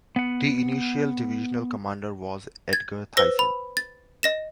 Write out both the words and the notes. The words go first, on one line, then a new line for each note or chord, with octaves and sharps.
The initial divisional commander was Edgar Theisen.
B3 F#5
G#6 A6
B4 C5 E6 A#6
B5
A6
D#5 A#6 E7